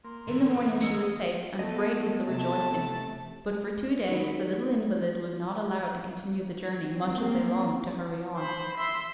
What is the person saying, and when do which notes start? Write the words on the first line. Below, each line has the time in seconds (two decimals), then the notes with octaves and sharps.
In the morning she was safe, and great was the rejoicing; but for two days the little invalid was not allowed to continue the journey, much as they longed to hurry on.
0.04 A#3 C6
0.28 D3 E3 A4
0.81 G#3 A#4 D#5 D#6 E6 C#7
1.59 A3 B3 D#5
2.27 C3 A3 A5
4.08 D#3 F#3 E5 B5
6.77 F#3 C4
7.14 A#3
8.37 C5 B5
8.77 E5 C6